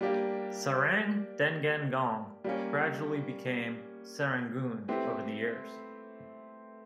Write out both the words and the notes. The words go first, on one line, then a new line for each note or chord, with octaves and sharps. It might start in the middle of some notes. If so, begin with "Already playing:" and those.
"Serang dengan gong" gradually became Serangoon over the years.
G3 A#3 D4 G4
G3 A#3 C#4
A3 C4 E4 G4 B4